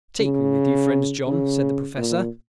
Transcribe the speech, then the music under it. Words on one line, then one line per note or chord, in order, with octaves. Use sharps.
"Take me with you, friend John," said the Professor.
C#3
C#3
A#2